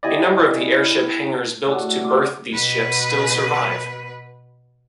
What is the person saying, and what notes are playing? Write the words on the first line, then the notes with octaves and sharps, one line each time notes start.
A number of the airship hangars built to berth these ships still survive.
B3 E4 G4 D5 D#5 G#5
A2 D4 F#4
F4 D6
B2 B4